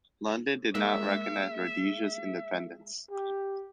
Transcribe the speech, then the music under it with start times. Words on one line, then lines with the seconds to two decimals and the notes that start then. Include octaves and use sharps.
London did not recognize Rhodesia’s independence.
0.75 G#3 A#3 E5
3.11 G4